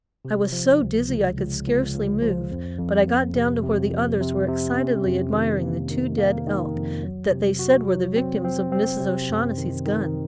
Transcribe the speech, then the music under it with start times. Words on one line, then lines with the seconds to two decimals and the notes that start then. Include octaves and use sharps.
I was so dizzy I could scarcely move, but I got down to where the others were excitedly admiring the two dead elk that they said were the victims of Mrs. O'Shaughnessy's gun.
0.25 C3
0.52 F3
0.81 C#2
1.09 C#2
1.37 C#2
1.66 C#2
1.94 C#2
2.22 F3
2.51 F2
2.79 F2
3.07 F2
3.35 C3
3.63 C3
3.93 F3
4.21 C3
4.48 C3
4.77 C#4
5.05 F2
5.33 D#3
5.61 A#3
5.90 D#3
6.18 A#3
6.47 D#3
6.75 F2
7.03 F#3
7.31 C3
7.59 F#4
7.88 F#3
8.16 C4
8.44 C4
8.72 C4
9.00 C3
9.30 F#2
9.57 D#3
9.86 D#3